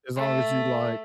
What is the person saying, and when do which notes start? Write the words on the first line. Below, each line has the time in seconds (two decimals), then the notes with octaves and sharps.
as long as you like
0.16 A3